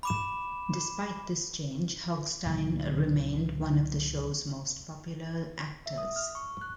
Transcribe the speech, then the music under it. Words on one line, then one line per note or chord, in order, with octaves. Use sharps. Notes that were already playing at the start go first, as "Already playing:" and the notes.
Despite this change, Hogestyn remained one of the show's most popular actors.
B5 D6 E7
C#2 A#2 D3 F#3
E5
D#6
F6
C#6
F#6